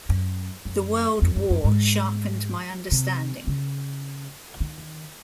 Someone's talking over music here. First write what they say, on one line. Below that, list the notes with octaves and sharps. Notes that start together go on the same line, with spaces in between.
The World War sharpened my understanding...
F#2
F#2
F2
F#2
F#2
G#2
C3
C#3
D#3